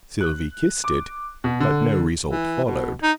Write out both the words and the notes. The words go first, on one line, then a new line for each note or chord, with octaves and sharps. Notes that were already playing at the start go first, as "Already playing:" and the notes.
Sylvie kissed it, but no result followed.
F#6
D6
B2
D3
E3
B2
D#4